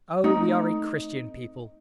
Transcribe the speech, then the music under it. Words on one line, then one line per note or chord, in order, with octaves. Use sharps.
Oh! we are a Christian people!
A3 C4 D#4